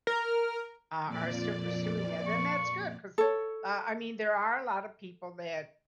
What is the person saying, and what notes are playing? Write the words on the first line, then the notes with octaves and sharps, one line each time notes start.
a are still pursuing that, and that's good 'cause, uh, I mean, there are a lotta people that
A#4
F2 A#2 D5
C#6
A4 C#5